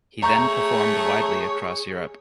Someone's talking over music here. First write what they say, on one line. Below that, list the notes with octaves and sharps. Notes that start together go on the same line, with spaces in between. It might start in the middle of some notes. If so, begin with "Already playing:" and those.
He then performed widely across Europe.
A3 G#4 C#5 A#5 C#6 G6